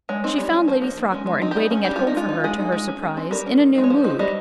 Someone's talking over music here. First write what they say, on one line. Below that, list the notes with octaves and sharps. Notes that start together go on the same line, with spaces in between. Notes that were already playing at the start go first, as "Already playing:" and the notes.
She found Lady Throckmorton waiting at home for her, to her surprise, in a new mood.
G#3 C#5
C4 D#4
G3 C#5
C#4
F3 C5
A#3 C#4
D#3
G#3 C#4
G#3
C4 D#4
G4
G3 G#4
C#4
G3 G4
C#4 F4
D#4
G#3 F4
D#4
G#3 G#4
D#4
G#3
C#4
G#3 G#4
C4 D#4
G3 A#4
C#4
D#3
G#3 D#4
C#5
F3 C5
C4 D#4
G3 D#5